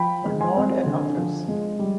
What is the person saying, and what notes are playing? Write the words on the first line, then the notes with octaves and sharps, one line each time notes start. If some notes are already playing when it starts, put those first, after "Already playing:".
Barnard and others.
Already playing: F3 G5 B5
G#3
G#5 C6
C4
D3
F3
G#3
G3